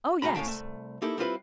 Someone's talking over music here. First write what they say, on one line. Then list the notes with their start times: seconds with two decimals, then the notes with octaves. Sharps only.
Oh, yes.
0.22 C#2 C#3 F#4 A#5 B5
0.35 A2 C#4 F5 G5 A5
0.48 C2 A3 A5
1.02 A#3 D#4 E4 G4 A4
1.18 G3 C4 E4 F4 G4 B4